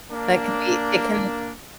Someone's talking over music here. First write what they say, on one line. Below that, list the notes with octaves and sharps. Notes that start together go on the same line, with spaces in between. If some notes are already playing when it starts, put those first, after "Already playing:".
That can it can
A#3 D4